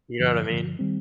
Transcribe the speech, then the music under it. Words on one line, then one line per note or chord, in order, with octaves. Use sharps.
You know what I mean?
G2 D3 F3
G2 D3 F3
D#3 G3 C4